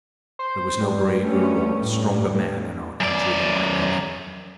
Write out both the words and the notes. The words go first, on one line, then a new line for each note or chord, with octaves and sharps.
There was no braver or stronger man in our country than my brother.
C5
G2
A3 C#4
A2
F#2 D5